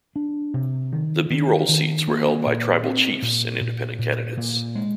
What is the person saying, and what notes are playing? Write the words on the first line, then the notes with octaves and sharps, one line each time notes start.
The 'B' Roll seats were held by Tribal Chiefs and independent candidates.
D4
C3
D#3
D#3
D#3
A#3
A#2
C4
A#2
A#2
A#2
A#2
G#3